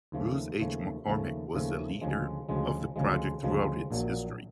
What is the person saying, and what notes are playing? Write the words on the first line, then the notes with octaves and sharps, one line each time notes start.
Bruce H. McCormick was the leader of the project throughout its history.
D#2 C#3 F3 A3
D#2 C#3 F3 A3
D#2 C#3 F3 A3
D#2 C#3 F3 A3
D2 C#3 F3 G#3
D2 C#3 F3 G#3
D2 C#3 F3 G#3
D2 C#3 F3 G#3
A#1 A#2 F#3